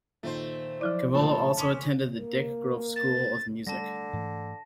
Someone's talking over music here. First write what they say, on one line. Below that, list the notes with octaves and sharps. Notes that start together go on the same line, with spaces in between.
Cavallo also attended the Dick Grove School of Music.
A#2 D#3 A3 C4 C5
F3 F#3 E4 D5
A#2 A3 B3 C4 A4 A5
C#4 C6 D6 D#6
A#3
A6
D3 G3 A3 A5 A#6
G#2 E3 A3